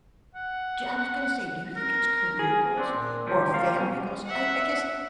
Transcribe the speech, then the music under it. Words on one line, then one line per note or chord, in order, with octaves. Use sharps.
D I was gonna say, do you think it's career goals or family goals? I I guess
F#5
A#4
G#4
C4 D4
A#2
C#2 F3 G3
G3 A#3 F5
B2 C#4
E5 F#5